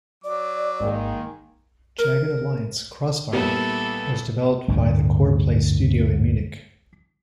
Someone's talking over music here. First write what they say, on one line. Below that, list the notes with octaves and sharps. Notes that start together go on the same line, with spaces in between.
"Jagged Alliance: Crossfire" was developed by the Coreplay Studio in Munich.
F#3 D5 D6
G#1 D#3 G#3 A#3
A#4
A#2 G3 B3 E4 A4
G1 D2 A2 D3